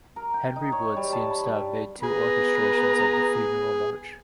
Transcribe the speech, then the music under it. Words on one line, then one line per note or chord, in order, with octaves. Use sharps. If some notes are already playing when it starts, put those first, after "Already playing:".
Henry Wood seems to have made two orchestrations of the Funeral March.
A#4
G5
D#4
C#5
G3
A5
B5
G3
B3 G#4 B4 A#5